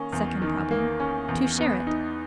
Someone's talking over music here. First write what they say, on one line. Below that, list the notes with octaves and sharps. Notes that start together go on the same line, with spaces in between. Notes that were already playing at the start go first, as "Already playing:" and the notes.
Second problem: To share it.
Already playing: D#3 A#3 C#4
E2
D#3
A#3
C#4
E2
B3
D#4